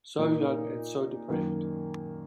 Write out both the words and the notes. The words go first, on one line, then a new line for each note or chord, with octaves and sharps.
So young and so depraved!
A#2 A#3 D#4
F#2 D#3 A#3